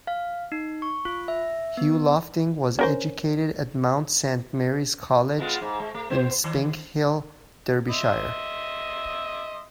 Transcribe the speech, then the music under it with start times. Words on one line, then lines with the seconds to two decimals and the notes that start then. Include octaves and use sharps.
Hugh Lofting was educated at Mount Saint Mary's College in Spinkhill, Derbyshire.
0.07 F5
0.52 D#4
0.82 C#6
1.05 F4
1.28 E5
1.77 B3
2.79 C#4 A#4 C5
5.39 G#3 B3 F4
5.61 G#2
5.80 G#3
5.94 A3
6.10 B3 C5
6.44 D#3
7.89 D#5 E5 C6